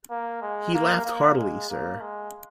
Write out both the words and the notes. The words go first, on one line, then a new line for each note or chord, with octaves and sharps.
He laughed heartily, sir.
A#3
G#3
A#3
A#3
G#3
A#3
G#3